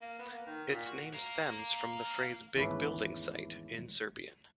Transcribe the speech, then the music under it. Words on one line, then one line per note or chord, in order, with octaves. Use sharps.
Its name stems from the phrase "big building site" in Serbian.
A#3
B3
A#3
D#3
A#2
F#4
F5 A#5
G#1 E2 A3 C#4 B4